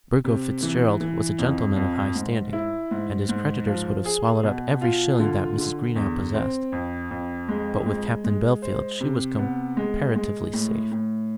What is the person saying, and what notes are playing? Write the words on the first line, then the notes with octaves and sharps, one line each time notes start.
Burgo Fitzgerald was a gentleman of high standing, and his creditors would have swallowed up every shilling that Mrs. Greenow possessed; but with Captain Bellfield she was comparatively safe.
C3
E3
E3
F2
F2
G#2
E4
G#2
G#2
F3
G#4
B2
F4
D3
D3
E2
C4
F2
F2
G#3
G#3
G#3
C5
C3
B3
G#3
G#3
A2
A2